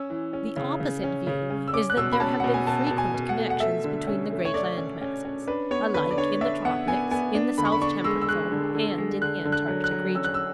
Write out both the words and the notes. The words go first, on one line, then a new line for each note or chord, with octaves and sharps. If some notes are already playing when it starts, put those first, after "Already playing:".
The opposite view is that there have been frequent connections between the great land masses, alike in the tropics, in the south temperate zone, and in the Antarctic region.
Already playing: C#4 E6
E3
C#4
C#3
C#3
C#4
C#3
C#4
E6
C#4 D6
F#6
B2 E6
B5
C#4 A5
B2 F#5
G#5
B2 A5
B2 A5
G#5
B2
F#5
A3
F#5
A3 E5
D3
C#4
A3
C#5
A3 D5
C#4
C#4
C#4
D4 B4
B3 C#5
D3 B4
D5
D4 C#5
D4 E5
B3 F#5
B3 G#5
B3 G#5
D4
D3 B5
C#6
B5
D4 C#6
G#3 E6
E6
G#3 F#6
D3
D3
G#3
D3 F#6
D3
F#6
F#3
F#6
F#3
C#4 E6
F#6
E6